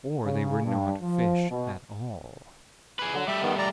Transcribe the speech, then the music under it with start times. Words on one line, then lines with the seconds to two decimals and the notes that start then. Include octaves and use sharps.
Or they were not fish at all.
0.25 C#3
0.65 G2
1.02 F3
1.50 B2
2.99 G#4 B4
3.14 D3 F#3
3.28 G3 A3 E5
3.43 D#3 B3
3.58 D5 A#5